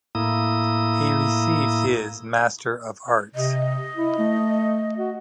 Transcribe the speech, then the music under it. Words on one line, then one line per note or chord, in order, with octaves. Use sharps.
He received his Master of Arts.
A2 A#3 E4 D#6
C3 D#5
E4
A3
F#4